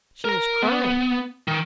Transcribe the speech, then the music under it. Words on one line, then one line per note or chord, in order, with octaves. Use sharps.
"She was crying!"
A#4 A#5
B3
D#3